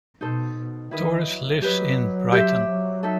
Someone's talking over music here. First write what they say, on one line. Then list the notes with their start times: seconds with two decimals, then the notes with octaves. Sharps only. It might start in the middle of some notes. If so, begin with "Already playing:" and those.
Torres lives in Brighton.
0.21 B2 D#4 A4 C5
0.57 B2
0.91 D#3 E4 B4 D#5
1.27 F#3
1.62 F#3 G4 B4 D#5
2.32 G4 C5 E5
2.68 F#3
3.03 D#4 A4 E5